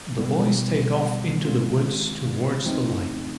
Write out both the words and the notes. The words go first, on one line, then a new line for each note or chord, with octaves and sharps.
The boys take off into the woods towards the light.
B2 G3 B3 E4
D#3 G#3 C4 F4
C#3 F3 A3 C4 D#4